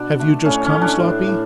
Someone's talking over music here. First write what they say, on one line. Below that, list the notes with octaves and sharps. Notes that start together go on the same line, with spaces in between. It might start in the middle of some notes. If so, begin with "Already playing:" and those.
'Have you just come, Sloppy?'
Already playing: B2 D4
A3
A2 C#4
C#4
A2
D4
A2
A2